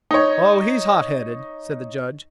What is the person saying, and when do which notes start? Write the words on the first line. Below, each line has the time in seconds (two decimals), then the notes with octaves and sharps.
"Oh, he's hot-headed," said the Judge.
0.11 D#4 C#5